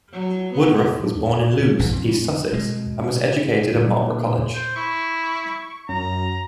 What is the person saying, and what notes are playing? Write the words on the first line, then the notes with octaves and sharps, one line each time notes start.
Woodroffe was born in Lewes, East Sussex and was educated at Marlborough College.
F#3
B3
A#1 G#2 E3
F2
B2 G#3
A#2
C5
E4 C#6
C#6
F#2 A#5